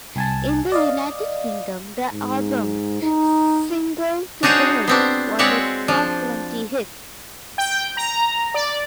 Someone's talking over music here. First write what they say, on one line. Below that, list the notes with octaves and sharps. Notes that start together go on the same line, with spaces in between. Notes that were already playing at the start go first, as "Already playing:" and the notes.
In the United Kingdom, the album's single "Today" was a top-twenty hit.
C2 G#5 A5
D5 D#5 F5
G#2
D#4
D4 D#4 F#4 G#4 C5 C#5
B3 C4 D4
G#3 C4 F#4 C#5 D5 E5
F3 D4
G5
A#5
D5